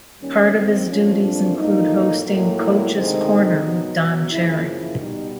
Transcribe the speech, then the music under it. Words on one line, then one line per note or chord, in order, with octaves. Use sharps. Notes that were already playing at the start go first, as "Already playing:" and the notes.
Part of his duties include hosting "Coach's Corner" with Don Cherry.
D#2 D#3 G3 A#3 C#4
C4
A#2 F3 A3 C4 C#4
D4
A2 F3 A#3 D#4
A2 F#3 A#3
E4
D2 C3 D#3 G#3 C4 D#4
B2 F#3 B3
F#2 C#3 F3 A#3 E4
E4
B2 G3 B3 D#4